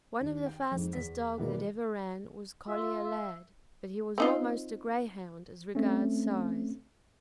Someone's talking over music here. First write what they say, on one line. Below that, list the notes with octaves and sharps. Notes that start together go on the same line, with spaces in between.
One of the fastest dogs that ever ran was Collier Lad, but he was almost a Greyhound as regards size.
D#2
G5
F2 G#2
E2 B6
G#2 B2 D#3 E3 G3 A#3
F4 E5
E5
C4 D#4 F4
A3 C4 C#4